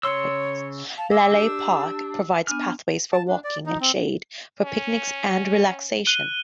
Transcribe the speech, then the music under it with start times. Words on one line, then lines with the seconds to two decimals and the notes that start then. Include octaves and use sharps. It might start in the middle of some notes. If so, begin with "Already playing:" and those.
Laleh Park provides pathways for walking and shade for picnics and relaxation.
0.03 C#3 C#5 C6 E6
0.98 F5 A5
1.11 D6 E6
1.31 D4 G4
2.47 B3 D4 G#5 F6
3.12 A5
3.28 D4
3.44 D5
3.66 D#4
3.80 C4
4.64 C#4
6.06 F#6 D#7 G7